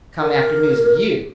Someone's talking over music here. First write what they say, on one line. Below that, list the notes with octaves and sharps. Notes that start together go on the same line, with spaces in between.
"Come after news of you."
A#4